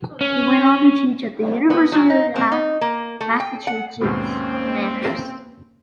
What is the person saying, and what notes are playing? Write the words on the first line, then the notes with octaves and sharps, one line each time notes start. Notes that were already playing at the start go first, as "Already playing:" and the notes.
He went on to teach at the University of Massachusetts Amherst.
C#4
B3
F#3
D#4
C4
D#4
A#3
A3
G5
F#5
D#2 G#2 B2 A#3 C4 C#4